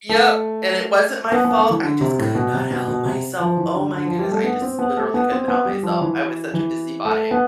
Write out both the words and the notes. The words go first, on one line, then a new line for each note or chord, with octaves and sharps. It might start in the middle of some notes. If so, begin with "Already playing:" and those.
Yep, and it wasn't my fault, I just could not help myself, oh my goodness, I just literally couldn't help myself. I was such a busy body.
A3
B3
B3
A3
E3
D3
C3
A2
B2
C3
B2
B2
C3
F3
E3
D3
D3
F3
G3
A3
B3
C4
B3
A3
B3
C4
B3
G3
F3
E3
E3
A3
B3